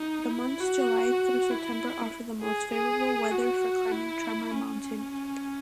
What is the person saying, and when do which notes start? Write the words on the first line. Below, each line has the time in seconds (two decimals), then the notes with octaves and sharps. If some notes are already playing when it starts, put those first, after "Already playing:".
The months July through September offer the most favorable weather for climbing Tremor Mountain.
Already playing: D#4
0.30 E4
0.60 F#4
1.51 E4
2.41 G#4
2.71 G#4
3.32 F#4
3.92 E4
4.52 C#4